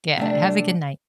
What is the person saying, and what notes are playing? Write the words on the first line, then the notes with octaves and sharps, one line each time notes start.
Yeah, have a good night.
C3 A3 D4